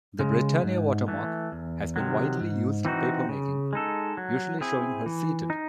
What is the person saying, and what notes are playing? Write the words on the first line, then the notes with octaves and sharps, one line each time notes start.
The Britannia watermark has been widely used in papermaking, usually showing her seated.
C#3 G#3
G#2
E3 A3
E2
C3 D#3 F#3
G#2
E3 C4 D#4 F#4
C#3
G#3 D#4 A4
F#3
C4 E4 G#4
E3
D#4